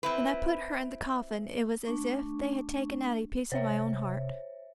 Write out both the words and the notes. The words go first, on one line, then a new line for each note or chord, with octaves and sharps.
When I put her in the coffin it was as if they had taken out a piece of my own heart.
C4 E4 B4
A3 D4 C#6
C3 C5 C#5 E5